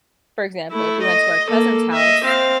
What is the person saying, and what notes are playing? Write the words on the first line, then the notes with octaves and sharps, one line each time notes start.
for example, if we went to our cousin's house
A3 E4
D#5
A#3 A4
D#5 E5
C4 F5